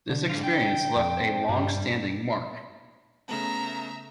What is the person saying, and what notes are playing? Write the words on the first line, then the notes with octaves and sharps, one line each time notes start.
This experience left a longstanding mark.
D3
G#2 F4
G5
F2
C4
G2 G3
C#3 A3 B3 E5 A#5